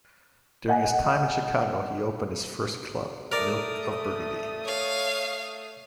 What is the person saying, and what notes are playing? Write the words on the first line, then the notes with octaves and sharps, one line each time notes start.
During his time in Chicago he opened his first club, Milk of Burgundy.
D#5 F#5 G#5
A3 A#4 D5 D#6
C#5 F5